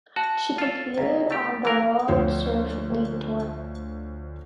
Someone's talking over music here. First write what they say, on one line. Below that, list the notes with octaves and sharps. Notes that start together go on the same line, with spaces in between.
She competed on the World Surf League Tour.
F#4 A5
F4 A4
C#2 E4 G#4 A#4
A3 G4
E3 A#4 F5 F#5 A#5
D2 F3 C5 C#5